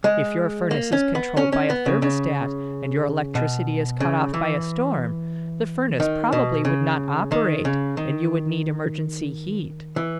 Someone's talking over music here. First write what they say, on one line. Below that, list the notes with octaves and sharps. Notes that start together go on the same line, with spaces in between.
If your furnace is controlled by a thermostat and your electricity is cut off by a storm, the furnace probably would not operate and you would need emergency heat.
G#3
A#3
C#4
B3
C#4
C#4
B3
C#3
C#3
B2
C#3
E3
D#3
B2
C#3
D#3
C#3
D#3
E3